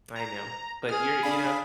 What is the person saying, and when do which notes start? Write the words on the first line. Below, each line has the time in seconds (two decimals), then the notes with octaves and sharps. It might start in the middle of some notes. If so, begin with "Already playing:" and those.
I know. But you're you know?
0.16 A#5
0.89 G#4 F6
1.23 D4 F5 B5